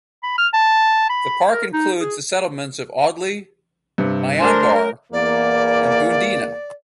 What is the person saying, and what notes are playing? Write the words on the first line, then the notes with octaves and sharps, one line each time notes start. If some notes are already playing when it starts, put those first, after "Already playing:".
The park includes the settlements of Audley, Maianbar and Bundeena.
B5
F6
A5
B5
A#4
D#4
G#4
G2 C3
A3 D4 A#4 C5 G#5 C6
E2 A#3 D5